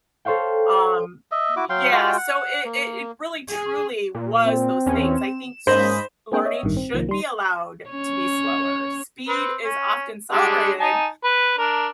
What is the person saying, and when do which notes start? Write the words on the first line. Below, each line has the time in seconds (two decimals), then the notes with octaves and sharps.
Um, y yeah, so i i it really truly was those things. I think s learning should be allowed to be slower, speed is often celebrated,
0.25 A4 C5 C#5 F5 G5
1.31 D#5 E5
1.56 E4 F#4 D6
1.70 F#3 F5 G5 C6
1.91 G#3 F4 F#4 G5
2.17 F#5
2.65 A#3
3.50 G#4
4.15 A#2
4.45 C4
4.86 E2 C#4
5.17 E7
5.67 G#2 A#3 C#4 C5 D#5 B5
6.32 A#3 C4 D4 G#4 A#4 G5
6.45 C#5 D#5 E5
6.63 A1 G2 D#3
6.77 C4
6.93 C2 D#3 F3 A#3
7.09 G3 C6
7.90 C#4 C#5
9.28 C4 B4
9.64 C#4
10.32 G3 G#3 D4
10.80 D#4 G#5 A5
11.24 B4
11.58 D4 A#4